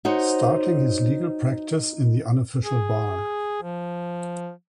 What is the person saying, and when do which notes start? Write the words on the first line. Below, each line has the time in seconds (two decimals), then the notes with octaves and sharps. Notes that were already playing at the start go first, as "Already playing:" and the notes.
Starting his legal practice in the Unofficial bar.
0.05 D#4 F#4 C5 C#5
2.63 G#4
3.62 F3